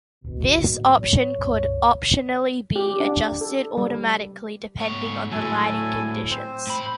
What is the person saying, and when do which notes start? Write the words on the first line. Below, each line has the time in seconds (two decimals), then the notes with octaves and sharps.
This option could optionally be adjusted automatically depending on the lighting conditions.
0.24 D#1 G#1 D2 B2
0.64 A2 F#3 A#3
1.03 C#5
1.38 C#2 G2 B2
2.76 G4
3.00 D4
3.41 A4
3.77 G3
4.79 G#2 C#5
5.32 A2 F#3 A4 G#5
6.30 C4 C5
6.67 A2 B5